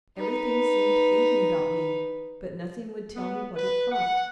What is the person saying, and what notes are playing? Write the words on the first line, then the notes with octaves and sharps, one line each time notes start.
Everything seemed thinking about me, but nothing would tell me what it thought.
D#4 B4
B3
B4
F#5